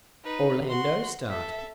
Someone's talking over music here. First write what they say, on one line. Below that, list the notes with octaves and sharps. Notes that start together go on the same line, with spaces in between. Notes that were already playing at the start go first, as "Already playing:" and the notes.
Orlando started.
D#4 B4
F#4 C6
A4 E5